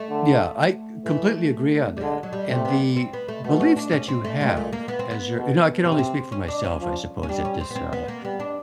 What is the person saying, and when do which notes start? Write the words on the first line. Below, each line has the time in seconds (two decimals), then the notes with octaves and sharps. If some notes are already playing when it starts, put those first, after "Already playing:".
B Yeah, I, uh, completely agree on that, and the beliefs that you have as your you know, I can only speak for myself, I suppose, at this, uh
Already playing: A3
0.10 D3
1.05 E3 A3
1.97 G3
2.01 D3 G#3
2.23 F#3
2.33 G3
2.49 C3 A3
2.65 B3
2.96 C4
3.13 B3
3.28 A3
3.44 B2 A3
3.61 C#4
3.76 D4
3.93 C#4
4.08 C4
4.25 A3
4.40 A#2 G#3
4.57 A3
4.73 A#3
4.88 B3
4.99 C4
5.11 B3
5.36 B2
5.84 C3 C4
5.92 C#4
5.99 C4
6.32 C#4
6.48 D4
6.64 C#4
6.81 F3
7.23 C#4
7.28 G3 D4
7.45 C#4
7.61 C4
7.70 B3
7.76 C4
7.93 B3
8.08 A#3
8.24 G3 B3
8.40 D4